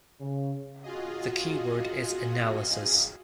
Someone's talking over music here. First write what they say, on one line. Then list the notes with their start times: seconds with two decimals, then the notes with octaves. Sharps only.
The key word is analysis.
0.20 C#3
0.84 F4 F#4 G#4 D#5